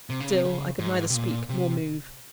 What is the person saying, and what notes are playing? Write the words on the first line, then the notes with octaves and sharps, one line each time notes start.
Still I could neither speak nor move.
C3
C#3
C3
C#3
G#2
C3
A#2
C3